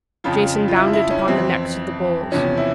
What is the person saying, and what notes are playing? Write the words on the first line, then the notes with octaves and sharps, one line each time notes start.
Jason bound it upon the necks of the bulls.
F2 C#3 F3 F4
F4
E4
E4
C#4
F2 E3 C4
E2 C3 F3 C#4
E4